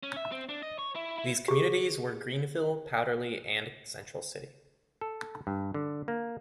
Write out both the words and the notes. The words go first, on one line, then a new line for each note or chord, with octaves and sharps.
These communities were Greenville, Powderly, and Central City.
C#4
E5
C4
D4
D#5
C#5
E4
E4
G4 G#4
A4
G2
D3
A#3